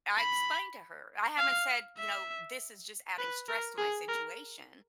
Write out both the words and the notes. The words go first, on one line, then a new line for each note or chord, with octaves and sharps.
I explained to her I haven't said, you know, "This is just adding stress to my situation,"
B5
F5
E5
B4
A#4
G#4
A#4